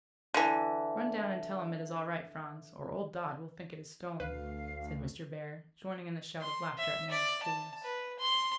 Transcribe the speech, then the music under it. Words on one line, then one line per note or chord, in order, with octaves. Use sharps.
"Run down and tell him it is all right, Franz, or old Dodd will think it is stolen," said Mr. Bhaer, joining in the shout of laughter at Nan's coolness.
D3 E3
D2 B4 F5
C6
E5
D5
A5
B4
C6